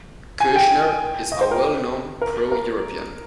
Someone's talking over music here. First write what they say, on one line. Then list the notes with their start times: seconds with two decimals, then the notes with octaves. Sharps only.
Kouchner is a well-known pro-European.
0.40 G#5
0.56 G5
1.32 D#5
1.41 C5
1.51 A#4
2.22 A#4
2.52 A#4